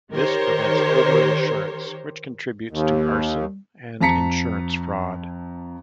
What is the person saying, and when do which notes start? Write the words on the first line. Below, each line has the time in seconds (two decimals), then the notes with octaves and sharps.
This prevents overinsurance, which contributes to arson and insurance fraud.
0.13 D#3 G4 A#4 C5 C#5
2.70 D#2
4.01 F2 A5 A#5 B6 C#7